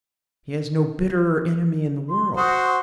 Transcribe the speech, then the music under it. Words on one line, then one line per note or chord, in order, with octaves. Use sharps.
He has no bitterer enemy in the world!
C6
F#4 C5 D#6